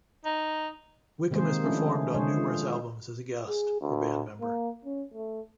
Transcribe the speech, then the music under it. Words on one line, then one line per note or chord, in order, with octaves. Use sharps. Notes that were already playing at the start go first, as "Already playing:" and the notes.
Wickham has performed on numerous albums as a guest or band member.
D#4
C3 D#3 G#3 A#3 G#4 C5
F3 A3 C#4 D4 E4
D3 G#3 G#4 C5 C#5
F4
G#4
D2
A#3
C#4
A3